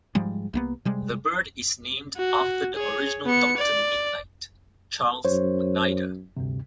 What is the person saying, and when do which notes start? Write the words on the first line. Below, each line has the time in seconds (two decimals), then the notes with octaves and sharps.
The bird is named after the original Doctor Mid-Nite, Charles McNider.
0.15 G#2 F3 G3 G#3
0.54 C2 A#3 B3
0.85 C3 G3 G#3
2.17 F#4
2.75 G#4 C#5
3.25 B3 C#7
3.57 D5
5.25 F#2 C5 C#5
6.37 D2 G2 C3